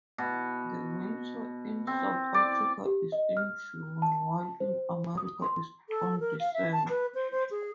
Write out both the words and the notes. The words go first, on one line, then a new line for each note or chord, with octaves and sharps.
The winter in South Africa is in June, while in America is on December.
B2
C4
D5
G4
D#5
F6
A5
C5
D#6
C6
A4
A#4
F5
E5
A5
B4
C5
C5
G#4